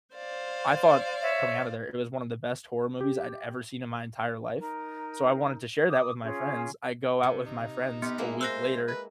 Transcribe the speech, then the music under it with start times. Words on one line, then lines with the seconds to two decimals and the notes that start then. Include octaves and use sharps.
I thought, coming out of there, it was one of the best horror movies I'd ever seen in my entire life, so I wanted to share that with my friends. I go out with my friends a week later,
0.15 C5 D5 F5
1.21 C#5 E5
3.01 G4
4.58 D#4 A#4
5.90 D6 D#6
6.23 C#4 F4 G#4 C#5
7.23 C3
7.46 D#4
8.02 B3 G4 B4
8.18 G#3 A#3 E4
8.41 C5 E6 F#6 A#6
8.88 B4